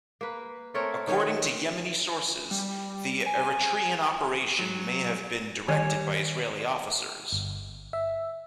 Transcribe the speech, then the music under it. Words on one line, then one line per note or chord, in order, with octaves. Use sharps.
According to Yemeni sources, the Eritrean operation may have been directed by Israeli officers.
A#3 B4
A3 C4 A#4 C#5
D#3 C#4 C#5
G3
G#5
F#3
D#3 G3 C#5 G#5
G1
E5